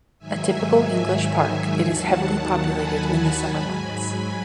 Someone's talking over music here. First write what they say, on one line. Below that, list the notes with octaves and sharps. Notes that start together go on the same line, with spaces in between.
A typical English park, it is heavily populated in the summer months.
G#2 D#3 F#3 E5 G#5
D#2 D#3 F#3 F#5 A5
G#5 B5
G#2 F#3